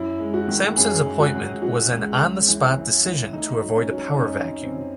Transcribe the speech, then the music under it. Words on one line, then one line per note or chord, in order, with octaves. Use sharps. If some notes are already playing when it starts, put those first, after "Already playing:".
Sampson's appointment was an on-the-spot decision to avoid a power vacuum.
Already playing: F#2 E4
G#3
F#4
D#3
F#2 G#4
G#3
F#4
F#2
E3 F#4
C#2
C#2
E3
E3
E3
A3 D#4
F#3
C#4
F#3
D#4
F#2 C#4
F#2
C4
F#3